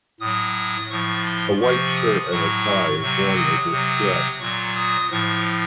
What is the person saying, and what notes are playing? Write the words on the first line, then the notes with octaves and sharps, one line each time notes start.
A white shirt and a tie is worn with this dress.
A2 F#3 D#6
A2 F3 C#6
C6
C3 F3 C#6
D#6
A2 F#3 C#6
C3 F#3 C#6
D#6
C3 F#3
A#2 F#3 C#6
D#6
A2 F3 C#6